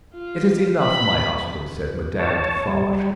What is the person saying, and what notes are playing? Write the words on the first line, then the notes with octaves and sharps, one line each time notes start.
"It is enough, my husband," said Madame Defarge.
F4
B5
C#5 A5
G3